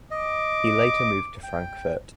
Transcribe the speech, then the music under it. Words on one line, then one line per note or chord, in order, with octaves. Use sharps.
He later moved to Frankfurt.
D#5 D6
G5